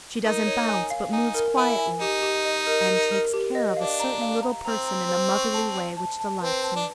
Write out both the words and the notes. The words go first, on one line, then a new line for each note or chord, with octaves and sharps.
She doesn't bounce, but moves quietly, and takes care of a certain little person in a motherly way which delights me.
D#4 A#4
C#5
G#5
F5
D#4 G#5
A#4
E4 G#5
G#5
D#4 G4
G4
D#5
A#4
A#4
A#4
G4
D#5
D4 F5
A#5
F5
A#5
C4 A#5
A#5
C5
C#6
A5
D5
A5
A5
C4 B4
A5
D4